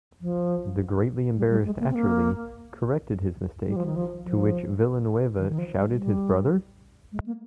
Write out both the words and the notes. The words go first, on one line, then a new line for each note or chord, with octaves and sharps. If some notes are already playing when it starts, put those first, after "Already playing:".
The greatly embarrassed Atcherly corrected his mistake, to which Villeneuve shouted His brother?
F3
G3
G3
G#3
A#3
C4
A#3
G3
F3
D#3
F3
F3
D#3
D#3
F3
G3
G3
G#3
A#3